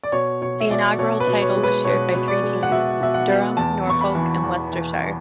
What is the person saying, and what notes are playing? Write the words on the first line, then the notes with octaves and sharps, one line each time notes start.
The inaugural title was shared by three teams: Durham, Norfolk and Worcestershire.
D5
B2 C#5
B2 C#5
E5
B2 D5
B2 C#5
B4
B2
C#5
G#3
B4
B2 C#5
B2
D5
G#3
F#5
B2 E5
B2 E5
F#5
B3
E2 A5
B3 C#6
B5
E3
E2
E3